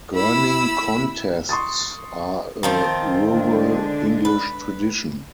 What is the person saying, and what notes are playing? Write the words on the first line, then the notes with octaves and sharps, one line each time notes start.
Gurning contests are a rural English tradition.
E4 B5 E6
C6 C#6 D#6 A6
D#3 F3 C4
D3 G#3 D4
B4